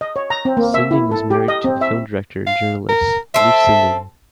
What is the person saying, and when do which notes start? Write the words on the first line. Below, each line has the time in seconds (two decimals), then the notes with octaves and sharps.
Sinding was married to the film director and journalist Leif Sinding.
0.01 D#5
0.16 C#5
0.30 A#5
0.45 C4
0.57 A#3
0.74 E5
0.91 E4
1.11 A4
1.31 G4
1.48 D#5
1.64 C4
1.81 E5
2.47 F5
2.89 A#4
3.34 C4 A4 E5